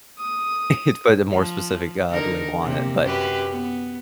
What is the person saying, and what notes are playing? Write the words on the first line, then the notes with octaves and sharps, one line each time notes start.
to put a more specific, uh, label on it. But
D#6
F3
D3 D#4 A#4
C3 A#3
F#2 G4 B4
B3